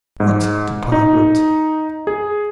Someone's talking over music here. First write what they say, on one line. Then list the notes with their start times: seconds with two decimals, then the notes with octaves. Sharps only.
"What department?"
0.20 G#2
0.92 D#4
2.07 G#4